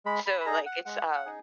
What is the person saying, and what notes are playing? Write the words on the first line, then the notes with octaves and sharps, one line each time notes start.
So like it's, um,
G#3 B5
B5
B5
D#4 G#4 A#5
F#5
G#3 F#5
F#5
D#4 G#4